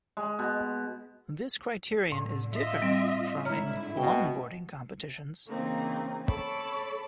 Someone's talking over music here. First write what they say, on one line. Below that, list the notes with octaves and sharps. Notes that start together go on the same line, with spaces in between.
This criterion is different from in longboarding competitions.
G#3
B2
A2 D3
F4 D#5 E5
G3 C4
G#2 D3 E4 C#5 A#5 F6
B2 G5
C#3 E3 A#3 C4 D#4
A4 C#5 A5 B5 D6